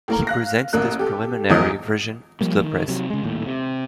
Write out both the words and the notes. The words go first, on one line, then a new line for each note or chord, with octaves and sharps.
He presents this preliminary version to the press.
A2 A#3 A#4
F5 F#6 A#6
A1 A#3 F#6
G4 A4
G#1 E2 E3 F3 D#5 D#6
F3 G3 A#3
D#3
C3 F#3
C#3 G#3
D#1 D#2 A2
C3